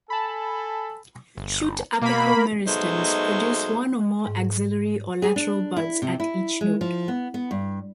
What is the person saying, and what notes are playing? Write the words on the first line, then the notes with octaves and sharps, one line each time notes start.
Shoot apical meristems produce one or more axillary or lateral buds at each node.
A4 G#5 A5 B5
G1
B2 A#3 B5
B2 F#3 G#3 A3 D#4 C5
G#2
G#4
D4
E4
C3
E4
G#3
F3
B3
B3
G2